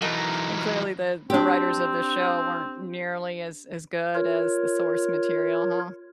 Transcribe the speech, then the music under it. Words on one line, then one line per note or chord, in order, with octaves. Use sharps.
and clearly, the the writers of the show weren't nearly as as good as the source material, huh?
E3 F#3 A3 D#4 A#4
C4 D4 G4
F4 A#4 C#5